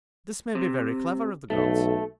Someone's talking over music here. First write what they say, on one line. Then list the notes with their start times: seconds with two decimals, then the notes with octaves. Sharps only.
This may be very clever of the gods.
0.55 C3
1.50 B1 A3